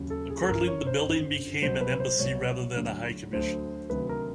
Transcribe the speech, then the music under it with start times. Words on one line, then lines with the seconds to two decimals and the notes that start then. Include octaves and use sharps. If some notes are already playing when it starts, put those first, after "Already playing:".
Accordingly, the building became an Embassy, rather than a High Commission.
Already playing: D#2 C#3 F#3
0.10 A4
0.30 G#4
0.42 A4
0.48 G1 F#2 D3 A#4
0.67 C#5
0.87 C5
1.06 G1 F#2 D3
1.62 C2 B2 F#3 C5
1.81 B4
2.00 C5
2.19 C2 B2 F#3 C#5
2.76 D2 D3 F#3
3.32 D2 D3 F#3 C5
3.90 D2 C3 D#3 F#3 B4
4.09 A#4